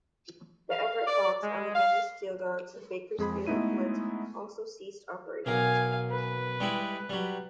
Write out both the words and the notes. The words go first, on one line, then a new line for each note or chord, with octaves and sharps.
The Everett Hawks, Alabama Steeldogs, and the Bakersfield Blitz also ceased operations.
F5
D5
G#3
F5
F2 G#3 G#4 B5
G#3 A3 B3 D#4 E4 D#7
B1 A#4 F5 G#5
B4
G3 G#3 E4
F#3 G3